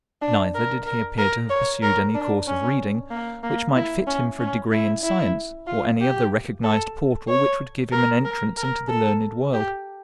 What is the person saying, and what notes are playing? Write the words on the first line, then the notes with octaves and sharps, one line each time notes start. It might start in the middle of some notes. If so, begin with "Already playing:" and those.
Neither did he appear to have pursued any course of reading which might fit him for a degree in science or any other recognized portal which would give him an entrance into the learned world.
D4
A#4
A#4
A#4
C#5
A#4
D4
C#4
A#3
A#3
E4
C#4
C#4
E4
E4
F4
G4
A4
C#5
A#4
A#4
A#4
A4
G4